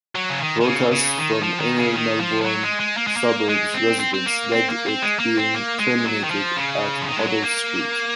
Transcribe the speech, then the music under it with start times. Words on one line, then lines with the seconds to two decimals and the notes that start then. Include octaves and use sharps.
Protests from inner Melbourne suburbs residents led it being terminated at Hoddle Street.
0.15 F#3
0.29 C#3
0.41 D#3
0.61 D#3
0.66 C#3
0.91 C#3
1.18 D#3
1.43 F3
1.60 D#3
1.77 C#3
1.95 D#3
2.20 F3
2.41 F3
2.46 F#3
2.63 G#3
2.80 G#3
2.97 A#3
3.07 G#3
3.17 A#3
3.49 G#3
3.74 C4
4.00 C4
4.14 C4
4.26 A#3
4.52 C4
4.68 A#3
4.86 C4
5.02 G#3
5.19 A#3
5.37 C4
5.54 A#3
5.80 G#3
6.05 F#3
6.24 D#3
6.31 F3
6.56 C#3
7.02 F3
7.07 D#3
7.17 G#3
7.25 F#3
7.42 A#3